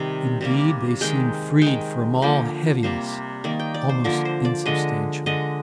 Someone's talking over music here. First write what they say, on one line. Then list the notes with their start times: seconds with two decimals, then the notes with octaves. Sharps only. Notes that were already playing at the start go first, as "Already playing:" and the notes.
Indeed they seem freed from all heaviness, almost insubstantial.
Already playing: C3 D#3 G3
0.41 C3 G3 A#3
1.01 D#3 G#3 G5
1.61 D#3 G#3 G5
2.22 D3 F3 A#3 G5
2.83 C3 G3 A#3 C5
3.44 D#3 A#3 D5
3.59 G5
3.74 D5
3.89 C5
4.04 D3 F3 A#3 A#4
4.25 C5
4.45 D5
4.65 D3 G#3 D#5
5.26 D3 G#3 D#5